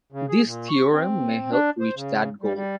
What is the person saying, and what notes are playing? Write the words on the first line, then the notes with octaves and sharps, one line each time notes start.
This theorem may help reach that goal.
C#3
G#4
A#2
C#6
C4
D4
C5
C#3
G3
G3